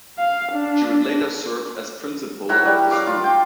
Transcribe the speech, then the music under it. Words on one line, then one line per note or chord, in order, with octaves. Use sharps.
She would later serve as principal of the school.
F5
D4
F#3 E4 F#4 A#4
G3
F#3 F5 D6
F4
G5